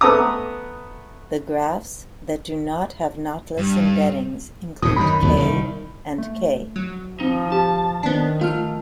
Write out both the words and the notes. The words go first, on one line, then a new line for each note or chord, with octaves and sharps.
The graphs that do not have knotless embeddings include "K" and "K".
A3 B3 A#5 D#6
G2
C#2 A2 C3 D#6
F#2 D#3 B5
D#2 B2 F#3
C2 D#3
A3
F#3 F#4
F3 C4 D#4
G4 A5
D#3 F3 B3 D4
A3 F4 F6